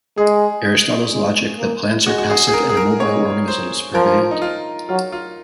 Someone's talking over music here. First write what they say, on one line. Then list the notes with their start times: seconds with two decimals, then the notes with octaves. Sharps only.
Aristotle's logic that plants are passive and immobile organisms prevailed.
0.18 G#3 G#4
1.12 G#3
1.59 A#3
2.06 G#3 F#4
2.18 F#4
2.30 G#4
2.47 G#4
2.53 A#4
2.69 G#4
2.77 A#4
3.00 G#3 C#5
3.48 C5
3.94 F3 A#4
4.31 D#4
4.42 F4
4.89 F#3 F4
5.12 F4